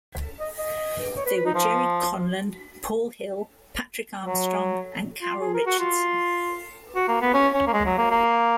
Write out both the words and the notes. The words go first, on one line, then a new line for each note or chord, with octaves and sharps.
They were Gerry Conlon, Paul Hill, Patrick Armstrong and Carole Richardson.
D#5
D#5
C#5
B4
B4
D#4
F3
F#3
F4
G#4
A#4
F#4
F4
F#4
A#3
B3
C#4
C#4
A#3
G#3
F#3
A#3
A#3